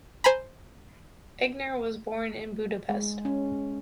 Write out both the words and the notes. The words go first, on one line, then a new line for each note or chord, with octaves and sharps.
Eigner was born in Budapest.
C5 G#5 A#5 B5
G#3
C#4